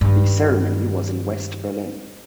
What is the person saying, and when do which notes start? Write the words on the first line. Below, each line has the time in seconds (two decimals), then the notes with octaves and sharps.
The ceremony was in West Berlin.
0.01 G2 D#3